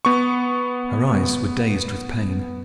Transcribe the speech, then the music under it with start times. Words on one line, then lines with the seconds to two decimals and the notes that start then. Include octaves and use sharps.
Her eyes were dazed with pain.
0.05 B3 C#6